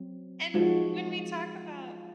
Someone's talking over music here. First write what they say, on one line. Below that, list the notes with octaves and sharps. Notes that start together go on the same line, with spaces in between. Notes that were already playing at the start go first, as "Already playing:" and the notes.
And when we talk about
Already playing: F#3 C4
F3 G#3 D#4 F#4